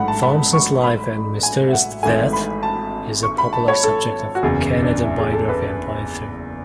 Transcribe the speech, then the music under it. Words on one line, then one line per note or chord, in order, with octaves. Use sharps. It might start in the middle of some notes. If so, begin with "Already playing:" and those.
Thomson's life and mysterious death is a popular subject of Canadian biography and poetry.
Already playing: A1 G#2 F#3 A3 D4 F#5 B5
A5
B5
C#6
B5
G#5
E5
F#5
G#1 G#2 E3 A3 G#5
B5
A5
C#6
B5
A5
C#5
A4
F#4
F#1 E2 C#3 G#4
D4
E4
G#4
A4
B4